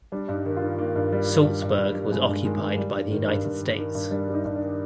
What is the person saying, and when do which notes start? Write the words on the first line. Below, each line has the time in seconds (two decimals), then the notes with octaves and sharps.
Salzburg was occupied by the United States.
0.12 G3 D4
0.29 G2
0.34 D#4
0.46 D#3
0.57 F4
0.62 D#3
0.79 D#3 A#3
0.96 G2
1.12 G3
1.29 D#3
1.45 G2
1.62 G2
1.78 G2
1.95 G3
2.11 G2 G#3
2.28 G2
2.45 D#3 G#3
2.62 D#3
2.78 G3
2.95 G2
3.12 D#3
3.28 G2
3.44 G2
3.61 D#3
3.78 D#3
3.95 G2
4.11 G3 D4
4.28 G3
4.34 D#4
4.45 G2
4.56 D4
4.61 D#3